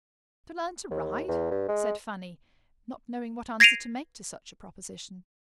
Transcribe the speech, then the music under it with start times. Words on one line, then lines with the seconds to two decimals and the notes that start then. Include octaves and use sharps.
"To learn to ride!" said Fanny, not knowing what answer to make to such a proposition.
0.90 D#2
1.28 E2
1.51 G2
1.68 G#3
3.60 G#6 A#6 C7 D7 D#7 F7